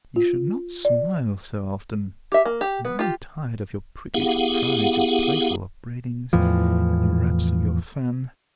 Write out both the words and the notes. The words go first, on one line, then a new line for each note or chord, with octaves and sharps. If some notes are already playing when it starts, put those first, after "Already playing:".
You should not smile so often; and I am tired of your pretty surprise, your playful upbraidings, and the raps of your fan.
F4
D5
G4 E5
A#3
G4
B3
F4 G4
B3 E4 G4 G#4 F5 F#5
E2 A2 E3 F3